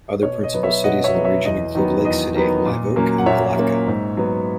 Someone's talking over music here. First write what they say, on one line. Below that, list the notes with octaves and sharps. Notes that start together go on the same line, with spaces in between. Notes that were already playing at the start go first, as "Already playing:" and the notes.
Other principal cities in the region include Lake City, Live Oak, and Palatka.
B2 C#5
D#5
F#3 B3
C#5 E5
B2 D#5 F#5
C#5 E5
F#3 B3
C#5 E5
E2 D#5
D#3 F#3 B3
E2 D#5
D#3 F#3 B3
A#2
F#3 A#3 C#4
F#5
A#2 C#5 E5
F#3 A#3 C#4
G#2
F#3 B3